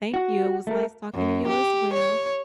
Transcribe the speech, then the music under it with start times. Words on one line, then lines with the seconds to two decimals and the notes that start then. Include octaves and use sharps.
Thank you, it was nice talking to you as well.
0.14 F#4
0.67 A3 A#4
1.14 F#2
1.48 G4
1.95 C#5